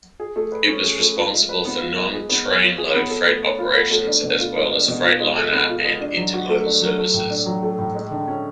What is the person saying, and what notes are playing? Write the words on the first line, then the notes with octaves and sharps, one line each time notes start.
It was responsible for non-trainload freight operations, as well as Freightliner and Intermodal services.
G#4
A3
B4
C#4
G#4
A3
F4
G#3
B4
B3
F4
G#3
G#4
B3
C#5
F4
G#4
B3
A4
A3
C#5
F4
A4
A3
D4
B2
F4
G#3
D4
B2
F4
G#3
A4
B3
F4
G#3
D4
F#3
F#4
A3
D4
F#3
A3
A2
D4
F#3
A3
A2
G#3
D3
C#4